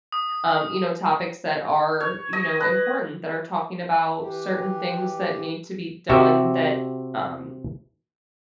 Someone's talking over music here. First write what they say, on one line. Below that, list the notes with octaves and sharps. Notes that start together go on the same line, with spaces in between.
um, you know, topics that are, you know, important, that are talking about certain things that need to be done that, um,
D#6
C#5
D#5
B4
E3 G4
C3 F#4 G4 E5